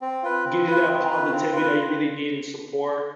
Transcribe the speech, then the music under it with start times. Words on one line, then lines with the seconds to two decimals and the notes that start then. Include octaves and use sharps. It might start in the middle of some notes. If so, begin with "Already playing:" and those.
It gives you that positivity that you really need, and support.
0.01 C4
0.23 F4 B4
0.45 C4
0.67 F4 B4
0.88 C4
1.10 F4 B4
1.31 C4
1.53 F4 B4